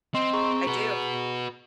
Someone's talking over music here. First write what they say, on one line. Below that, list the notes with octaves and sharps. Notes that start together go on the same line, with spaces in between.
I do.
C4 D#5 C6
G#4 A#5 C#6
F#4 B4